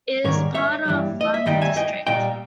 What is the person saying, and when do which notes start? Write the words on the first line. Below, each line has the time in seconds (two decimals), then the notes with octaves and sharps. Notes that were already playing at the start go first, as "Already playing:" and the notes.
It is a part of Lamu District.
0.24 G#2 D#3 G3 A#4 C#5
0.54 C#5 E5
0.85 G2 E3 G3
1.21 D#5
1.34 E5
1.46 G2 D#3 G3 D#5 G5
1.61 E5 G#5
1.76 D#5 G5
2.07 A#2 G3 D#5 G5